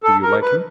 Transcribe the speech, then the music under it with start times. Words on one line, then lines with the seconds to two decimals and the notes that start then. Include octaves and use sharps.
"Do you like him?"
0.03 A4
0.22 A#4
0.42 B4